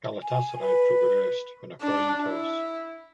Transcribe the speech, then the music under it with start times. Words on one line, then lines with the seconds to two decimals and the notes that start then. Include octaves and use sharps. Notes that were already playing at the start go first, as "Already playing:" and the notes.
Galatasaray progressed on a coin toss.
0.23 G#5
0.60 B4
1.81 D4
2.24 E4